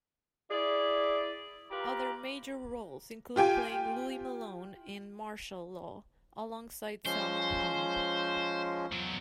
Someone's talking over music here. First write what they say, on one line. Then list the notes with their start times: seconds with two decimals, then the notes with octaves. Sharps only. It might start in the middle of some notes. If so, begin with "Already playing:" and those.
Other major roles include playing Louis Malone in "Martial Law" alongside Sammo Hung.
0.50 E4 G#4 D5
1.71 F4 G4 B4 A#5
3.36 F4 G4 G5 G#5
7.05 F3 G#3 C#4 C5
8.92 E2 F#3